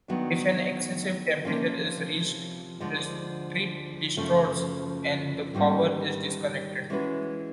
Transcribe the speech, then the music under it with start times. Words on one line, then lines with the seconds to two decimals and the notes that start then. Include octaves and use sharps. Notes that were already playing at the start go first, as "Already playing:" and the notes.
If an excessive temperature is reached the strip distorts and the power is disconnected.
0.08 D#3 F#3 B3 D4
1.45 C3 F3 A#3 C#4 F4
2.80 D2 D3 F3 G#3
4.17 F#2 C#3 F3 A3 C#4
5.53 G#2 D#3 G3 A#3 C#4
6.90 E3 G#3 C#4 F#4 B4